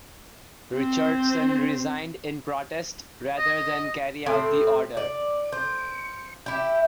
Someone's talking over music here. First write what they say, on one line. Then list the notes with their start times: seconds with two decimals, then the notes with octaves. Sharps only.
Richardson resigned in protest rather than carry out the order.
0.74 C4
3.38 D#5
4.26 A2 C4
4.97 D5
5.52 C5
6.46 E4 G4